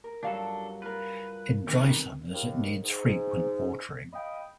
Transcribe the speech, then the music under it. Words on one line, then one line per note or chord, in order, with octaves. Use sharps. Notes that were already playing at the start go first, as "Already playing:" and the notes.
In dry summers it needs frequent watering.
A#4
C#2 G2 F#3 D4 A4 F5
F4 A#4 B4
D#3 B3 C4 G4 B4
D#2
G#2
D#5 F5 G5 B5 D#6